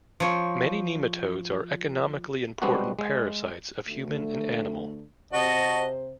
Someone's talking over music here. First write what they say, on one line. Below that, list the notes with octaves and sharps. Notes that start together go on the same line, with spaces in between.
Many nematodes are economically important parasites of human and animal.
F3 C#5
G3 G#3 B3 C4 D4 F#4
G#3
D2 D3 A3
C3 F#4 C5 D#5 A5